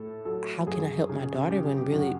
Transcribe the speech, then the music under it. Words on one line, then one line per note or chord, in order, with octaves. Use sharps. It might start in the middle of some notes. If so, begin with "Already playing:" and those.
how can I help my daughter when really
Already playing: A2 A4
F#3 A4
F#2 G#4
C#3
C#3 G4
G4
F#2 F#4